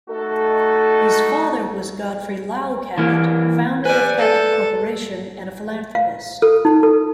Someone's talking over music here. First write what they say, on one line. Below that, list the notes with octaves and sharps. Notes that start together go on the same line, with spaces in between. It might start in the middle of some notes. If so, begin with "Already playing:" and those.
His father was Godfrey Lowell Cabot, founder of Cabot Corporation and a philanthropist.
A3 D#4 F#4 A4
E3 A#3
B4 D5 G#5
A4
F5
A4
D#4
A4